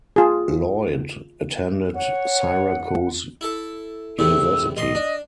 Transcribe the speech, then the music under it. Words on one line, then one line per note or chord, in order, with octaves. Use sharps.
Lloyd attended Syracuse University.
F4 G#4
C#5 F#5
E4 A4
E2 A2 C3 E6
A1 D#5 C6
D4